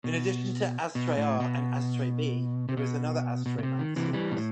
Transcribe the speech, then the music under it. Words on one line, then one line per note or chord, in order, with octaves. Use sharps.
In addition to "Astray R" and "Astray B", there is another "Astray" manga series.
B2
B2
A2
B2
C3
B2
B2
B2
C3
D#3
C3 E3
E3 G3
B2
A2